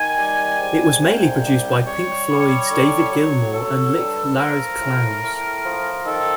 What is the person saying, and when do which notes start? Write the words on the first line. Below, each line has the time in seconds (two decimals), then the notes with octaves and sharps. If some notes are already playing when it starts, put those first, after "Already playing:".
It was mainly produced by Pink Floyd's David Gilmour and Nick Laird-Clowes.
Already playing: D#3 G#5
0.17 G3
0.59 G#2
1.01 C2 G5
1.43 G3
1.85 G3 C#5
2.27 G3
2.69 D3
3.12 F#3
3.53 F#3 A4
3.96 G2
4.38 F3 A#4
4.80 A2
5.23 A2
5.65 F3
6.06 D#3 A4